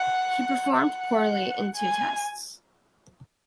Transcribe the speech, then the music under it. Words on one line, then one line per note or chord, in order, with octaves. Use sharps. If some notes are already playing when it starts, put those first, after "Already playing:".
He performed poorly in two tests.
Already playing: F#5
F#5
G#5